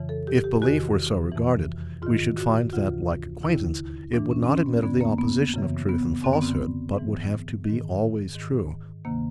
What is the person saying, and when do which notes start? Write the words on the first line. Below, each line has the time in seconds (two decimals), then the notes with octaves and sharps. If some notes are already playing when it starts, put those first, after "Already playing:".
If belief were so regarded, we should find that, like acquaintance, it would not admit of the opposition of truth and falsehood, but would have to be always true.
Already playing: F2 C#3 E3
0.09 A4
0.27 G4
0.44 G4
0.62 E2 C3 D#3 F#4
1.32 F2 C3 E3
2.02 G#2 D#3 F4
2.37 F#4
2.73 D2 C3 E3 F4
3.43 D#2 D3 E4
4.13 G#2 E3 D4
4.31 C#4
4.44 C4
4.48 C#4
4.66 B3
4.83 F2 D3 B3
5.01 A#3
5.18 B3
5.54 F#2 C#3 E3
5.89 B3
6.24 F#2 D3 C4
6.33 B3
6.42 C4
6.94 G#2 E3
7.64 G#2 D#3
8.35 G#2 D#3
9.05 D2 C3 D#3 A#3